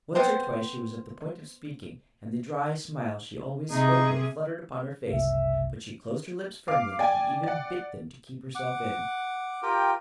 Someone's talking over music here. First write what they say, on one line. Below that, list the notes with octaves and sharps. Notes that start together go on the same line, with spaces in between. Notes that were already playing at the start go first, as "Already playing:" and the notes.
Once or twice she was at the point of speaking, and the dry smile she always spoke with fluttered upon her face; but she closed her lips firmly and even bit them to keep herself in.
B3 C4 C5
C3 D#4 G#4
F#1 C2 E5
F5 D6
D5 G5 G#5
D5 F#5
F#5 D6
F4 G4 A#4 G5